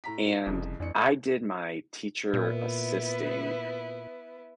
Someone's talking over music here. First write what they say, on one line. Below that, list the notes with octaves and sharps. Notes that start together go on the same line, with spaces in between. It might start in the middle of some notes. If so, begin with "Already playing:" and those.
and I did my teacher assisting
A2 A#5 B6
F1 C2 F2 C#3
A1 F2 D4 C#7
A#2 B3 E4